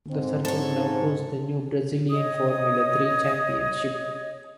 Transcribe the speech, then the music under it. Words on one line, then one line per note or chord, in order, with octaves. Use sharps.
The circuit now host the new Brazilian Formula Three Championship.
G#2 C4
C4 A4 C#5
C#5 D#5 D#6